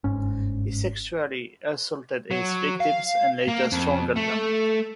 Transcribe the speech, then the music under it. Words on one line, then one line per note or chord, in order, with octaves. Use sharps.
He sexually assaulted his victims and later strangled them.
G1 G#2 C#4
F#3
F5
A#3
F2
A3